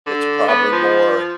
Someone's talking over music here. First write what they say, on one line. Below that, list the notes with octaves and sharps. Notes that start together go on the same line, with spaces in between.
it's probably more
D3
B3
F3